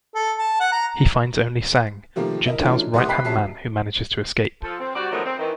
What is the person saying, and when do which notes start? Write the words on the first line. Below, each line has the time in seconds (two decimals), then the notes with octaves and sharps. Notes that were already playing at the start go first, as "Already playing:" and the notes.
He finds only Sang, Juntao's right-hand man, who manages to escape.
0.15 A4
0.38 A5
0.60 F#5
0.72 A#5
2.16 C3 D#3 F3 G3 A3 A#3
2.46 E4 A#4 D#5 E5
2.59 E3 F#3 A3 D4 D#4 F4
2.94 F#1 C2 A2 F#5 C6 D#6
3.08 D#5 G5 B5 F#6 B6 C7
3.25 F1 F#3 C#4 E5 A5 C7
4.63 F3 A4
4.80 C4
4.94 G3 F#4 D5
5.11 B2 D#3 F3 F#3 G#3 A3
5.25 C4
5.38 D#3 E3